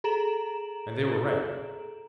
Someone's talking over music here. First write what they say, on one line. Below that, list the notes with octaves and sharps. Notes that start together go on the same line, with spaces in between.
And they were right.
G#4 A4 A#5 D7 E7 F#7